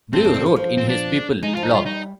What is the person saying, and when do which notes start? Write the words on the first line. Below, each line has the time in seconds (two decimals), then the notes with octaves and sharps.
Bleu wrote in his "People" blog.
0.13 G2 C4
0.25 F2
0.34 D3
0.46 F3
0.56 F3
0.78 C4
0.89 D4
1.43 G#3 D#4
1.54 F3 F4
1.63 D#4
1.71 G3 F4
1.86 D#4